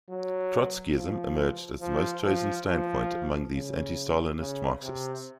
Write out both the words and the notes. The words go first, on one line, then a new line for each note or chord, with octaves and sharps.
Trotskyism emerged as the most chosen standpoint among these anti-Stalinist Marxists.
F#3
F3
F3
F3
F3
C#3
C#3
C3